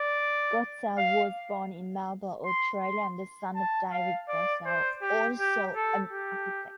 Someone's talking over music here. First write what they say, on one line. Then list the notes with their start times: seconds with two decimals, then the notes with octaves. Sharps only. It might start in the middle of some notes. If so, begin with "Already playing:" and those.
Godsell was born in Melbourne, Australia, the son of David Godsell, also an architect.
Already playing: D5
0.98 F5
2.45 C6
2.82 C6
3.55 A5
3.92 F5
4.29 D5
4.66 C5
5.02 G4
5.39 G4
5.76 A4
6.13 G4